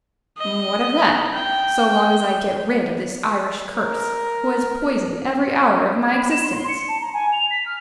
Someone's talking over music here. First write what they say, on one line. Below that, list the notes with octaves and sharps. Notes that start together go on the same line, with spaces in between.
What of that, so long as I get rid of this Irish curse, who has poisoned every hour of my existence!
D#5
G5
A#4
G#6
B5
E7
C6
C6
C#7
A5
A#5
G#5
F7
B6
F6